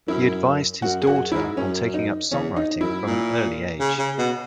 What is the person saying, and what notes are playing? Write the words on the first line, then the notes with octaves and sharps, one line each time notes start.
He advised his daughter on taking up songwriting from an early age.
F#2 E4
F#2 F#4
G#4
F#2 F#4
G#2 E4
F#2 C#4
D#4
E2 C#4
D#4
F#2 E4
A#2
C#3
C#3
B2